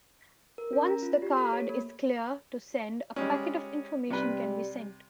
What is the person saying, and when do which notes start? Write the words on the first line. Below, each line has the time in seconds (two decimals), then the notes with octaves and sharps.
Once the card is clear to send, a packet of information can be sent.
0.58 A#4
0.73 C#4
0.88 A#5
1.03 F4
1.22 G4
1.37 A4
1.53 C#5
1.69 A#3
3.16 G3 G#3 C#4
4.10 C3 G3 B4